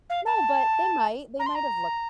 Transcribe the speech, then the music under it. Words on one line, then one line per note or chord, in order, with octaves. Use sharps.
No, but they might they might’ve look
F5
A5
A#5
C6
A#5